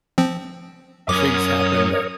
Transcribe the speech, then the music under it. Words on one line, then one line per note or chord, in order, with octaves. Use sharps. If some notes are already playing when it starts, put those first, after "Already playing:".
things happen that
F3 C4
F#2 C#4 A#4 C#5 D6 D#6